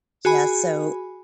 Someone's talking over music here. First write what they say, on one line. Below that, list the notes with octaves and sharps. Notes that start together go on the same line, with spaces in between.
Yeah, so
F#4 G#4 G#5 B5